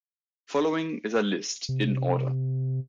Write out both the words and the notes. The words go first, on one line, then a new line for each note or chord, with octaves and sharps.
Following is a list, in order.
C3